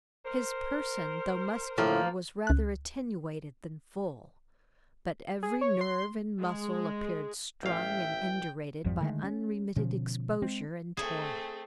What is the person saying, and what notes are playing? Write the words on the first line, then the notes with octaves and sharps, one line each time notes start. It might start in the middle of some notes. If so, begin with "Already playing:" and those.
His person, though muscular, was rather attenuated than full; but every nerve and muscle appeared strung and indurated by unremitted exposure and toil.
A#4 C5
A2 F3 A#3
C#2 F#6
G#4
C#5
C6
G#3
A1 E5 F5 G5
G#1 F2 F3 G3
D3 D#3 G#3 A3
C#4
B2 D3 F3 C#4
G#3 C4
A3 C4 G#4